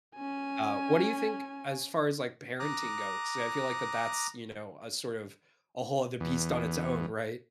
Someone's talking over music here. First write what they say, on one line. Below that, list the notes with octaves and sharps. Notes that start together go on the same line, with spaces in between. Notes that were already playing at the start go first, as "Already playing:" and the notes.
Uh, what do you think as far as, like, parenting goes, 'cause I feel like that that's, you know, a sort of a whole other beast on its own, right?
C#4 G#5
A#5 D6 D#6 F#6
E2